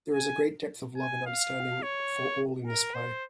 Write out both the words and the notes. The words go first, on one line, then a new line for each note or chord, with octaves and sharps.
There is a great depth of love and understanding for all in this play.
G#5
G#5
F5
C#5
A#4
C5